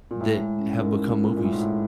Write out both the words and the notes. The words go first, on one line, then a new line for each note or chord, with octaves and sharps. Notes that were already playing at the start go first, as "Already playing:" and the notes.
that have become movies.
A#2
A2 G#3
G#3
C#4
G#2 A#4
C#4
F4
A#2 G#3
A2
G#2
A2 G#3